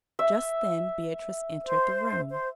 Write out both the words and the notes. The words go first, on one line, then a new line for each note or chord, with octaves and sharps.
Just then Beatrice entered the room.
E5
C5
C5